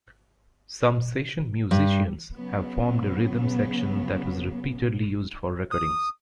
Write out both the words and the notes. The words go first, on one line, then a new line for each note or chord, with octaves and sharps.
Some session musicians have formed a rhythm section that was repeatedly used for recordings.
G2
C#3 F#3 B3
D#6